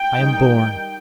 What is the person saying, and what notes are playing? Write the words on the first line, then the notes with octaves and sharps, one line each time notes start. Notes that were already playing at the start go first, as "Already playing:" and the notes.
I am born.
Already playing: G5
D#3 G3 D#4